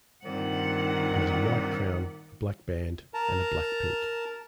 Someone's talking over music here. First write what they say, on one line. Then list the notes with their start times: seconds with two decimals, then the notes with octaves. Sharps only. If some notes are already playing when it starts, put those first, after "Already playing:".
It has a white crown, a black band and a black peak.
0.25 G2 A#2 D#3 C4 F#5
3.14 A#4 A5 A#5